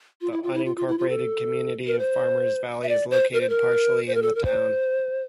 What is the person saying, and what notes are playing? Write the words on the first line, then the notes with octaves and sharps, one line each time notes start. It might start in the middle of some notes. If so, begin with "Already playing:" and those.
The unincorporated community of Farmers Valley is located partially in the town.
F4
E4
F4
E4
F4
F4
E4
F4
A4
A#4
C5
E5
D5
C5
A#4
C5
A#4
C5
A#4
A4
A#4
C5